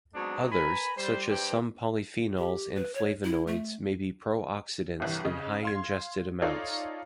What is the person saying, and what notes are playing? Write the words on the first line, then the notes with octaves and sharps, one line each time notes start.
Others, such as some polyphenols and flavonoids, may be pro-oxidants in high ingested amounts.
F#3 G#3 B3 C4 D4 D#4
A#4 B4 G#5 A#5 B5
G3 C5
G2 G4 B4 C5 G5
G4
B4
C#5
E4
A3
G1 C2 E3
C#3 D#5
F5 C6 G#6
D#4 F4 A4 C#5 D5